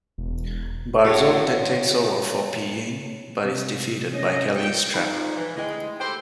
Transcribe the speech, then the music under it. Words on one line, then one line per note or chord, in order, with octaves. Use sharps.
Barzov then takes over for Pi Ying, but is defeated by Kelly's trap.
E1
A2 C#3 F#4 C#5
C3
C#4 D#5
A#2 G5 C#7
D#4 B5
G#2 F3
E3
D2 G#3 E4 G5
G4 A4 C5 G5 B5